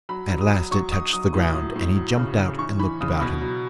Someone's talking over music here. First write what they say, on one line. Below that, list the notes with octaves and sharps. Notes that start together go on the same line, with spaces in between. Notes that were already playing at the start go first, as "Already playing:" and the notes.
At last it touched the ground and he jumped out and looked about him.
F#3 B5
F#3
D#6
F#3
F#3 C#6
F#3 D#6
F#3 D#6
A2
F#3
A2
F#3
C#3
C#3
E3 C#6
E3 B5
C#3 D#6
B2 B5
F#3